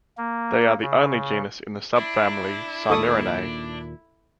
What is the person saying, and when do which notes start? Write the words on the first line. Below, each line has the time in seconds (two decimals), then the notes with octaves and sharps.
They are the only genus in the subfamily Saimirinae.
0.17 A#3
0.82 C#3
1.96 D4 E4
2.90 D#2 A#2 A4 C#6 D#6